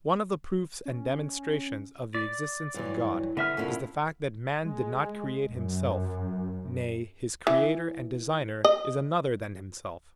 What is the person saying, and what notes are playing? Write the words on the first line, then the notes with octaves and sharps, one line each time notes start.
One of the proofs and demonstrations of the existence of God is the fact that man did not create himself: nay, his creator and designer is another than himself.
C#4
D5
G2 E3 F#3
D3 B3 E5 F6
F2 A#2 D3 C#4 E4
G#3
F#2
E3
D#5